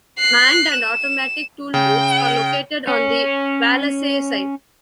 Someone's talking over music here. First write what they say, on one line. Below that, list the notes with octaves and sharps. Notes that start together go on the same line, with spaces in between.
Manned and automatic tollbooths are located on the Wallasey side.
F#6 C7
E7
C#3 G5
C#4 C#5